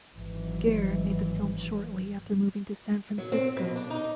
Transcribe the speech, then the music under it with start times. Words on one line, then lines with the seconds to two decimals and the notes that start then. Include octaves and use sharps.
Gehr made the film shortly after moving to San Francisco.
0.15 G#1 E3 F#3
3.18 F#3
3.32 C4
3.57 B2
3.76 D4
3.90 D#4